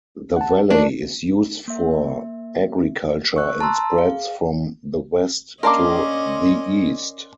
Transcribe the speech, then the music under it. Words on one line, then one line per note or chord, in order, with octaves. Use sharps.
The valley is used for agriculture and spreads from the west to the east.
F#5 A5
A3 D4 A#4
A#3 E5
C#6 E6 F#6
A5 A#5 C6 E6
G#4 F5
A#3 C#4 D4 A#4 D#5 C6 D6